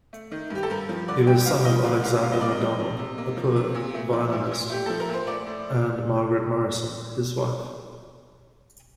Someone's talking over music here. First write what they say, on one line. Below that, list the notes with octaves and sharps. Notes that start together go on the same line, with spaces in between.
He was son of Alexander Macdonald, a poor violinist, and Margaret Morison, his wife.
A3
D#3
G2 G4
A4
G2 A#4
F3
D3 D5
G2 G5
G2 F5
F3 D#5
D3 F5
G2 F5
C3 F5
D#5
A#3 D5
D#5
F3
C3
C3
A#3
F3
C3
A#2
A3
F3
A#2
A#2
A3 G4
F3 A4
A#4
A#2 C5
A3 D5
A2